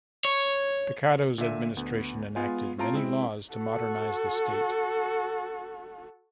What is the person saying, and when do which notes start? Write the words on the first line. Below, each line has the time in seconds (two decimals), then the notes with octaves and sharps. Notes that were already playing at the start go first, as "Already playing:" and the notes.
Picado's Administration enacted many laws to modernize the State.
0.25 C#5
1.38 A#2 D3 E5 D#7
1.77 D2 B3
2.36 G#3 B3 F4 G#5
2.78 A2 C4 F4 A5 A#5 D7
2.94 G#3 C4 E4
3.55 F#4 A4